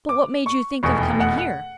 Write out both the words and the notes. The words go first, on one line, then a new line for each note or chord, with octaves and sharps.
"But what made you think of coming here?"
D6
C#6
F1 E2 B2 C#6
G5
F#5
F#5